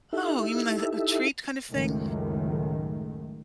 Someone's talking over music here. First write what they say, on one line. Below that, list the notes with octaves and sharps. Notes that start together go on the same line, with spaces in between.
Oh, you mean like a a treat kind of thing?
D#4 E4 G4 A4 E5
C#2 F#2 A2 D#3 G#3 A3